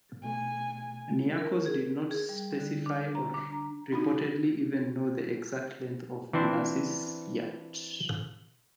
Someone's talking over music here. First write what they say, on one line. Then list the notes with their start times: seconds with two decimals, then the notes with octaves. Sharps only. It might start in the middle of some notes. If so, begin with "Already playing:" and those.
Niarchos did not specify or reportedly even know the exact length of Onassis's yacht.
0.24 B2 A3 G#5
1.38 A#4
1.66 G#4
2.11 G#4
2.29 G3
2.59 D3
2.86 D4
2.99 C#5
3.15 A#5
3.34 D4
3.52 A#5
3.92 D4 D#4 F#4
6.33 E3 C4 D4 C5